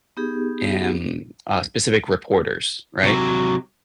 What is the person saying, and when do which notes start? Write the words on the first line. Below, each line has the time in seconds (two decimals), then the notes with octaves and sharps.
em, uh, specific reporters, right?
0.17 B3 D#4 G4 G#4
3.03 C3 F#3